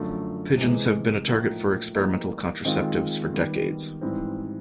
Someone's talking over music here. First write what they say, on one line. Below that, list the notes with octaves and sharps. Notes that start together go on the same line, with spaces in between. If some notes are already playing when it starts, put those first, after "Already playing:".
Pigeons have been a target for experimental contraceptives for decades.
Already playing: F#2 D3 F3 A3
C3 E3 G#3
A2 F3 A#3 D#4
E3 G3 A#3 D#4
D#3 G#3 C4 F4
D#3 G3 B3
G#2 E3 G3 C4 E4